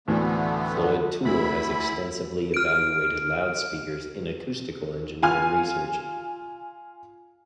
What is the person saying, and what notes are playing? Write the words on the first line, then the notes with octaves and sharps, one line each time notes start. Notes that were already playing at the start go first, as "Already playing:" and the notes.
Floyd Toole has extensively evaluated loudspeakers in acoustical engineering research.
D2 A2 D3 E3 A3 B3
D2 E4 B5
F6 D7
F4 G#5 F6